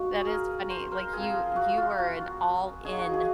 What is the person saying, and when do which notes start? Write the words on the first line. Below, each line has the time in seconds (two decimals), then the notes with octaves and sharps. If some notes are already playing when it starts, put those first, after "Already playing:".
that is funny, like, you you are an all-in
Already playing: F#3 A#3 D#4 F#4
0.20 G#4
0.27 A#4
0.70 C5
0.92 A#4
1.13 F3 C4 F4 G#4
1.56 F#4
1.77 F4
1.99 F#4
2.84 F#3 A#3 D#4 G#4
2.99 F#4
3.14 G#4